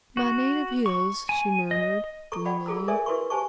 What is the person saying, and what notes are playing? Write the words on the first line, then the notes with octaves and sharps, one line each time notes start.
"My native hills!" she murmured, dreamily.
F#4
C#6
G#5
D#5
A4 A#5 C#6
D5 F#5 G5 B5
F4 G#4 A4 A#5 E6
A4 A#4 C#5 D5 E5 G#5
E4 F#4 A#4 B4 C6 C#6
G4 C5 G#5 A5 C#6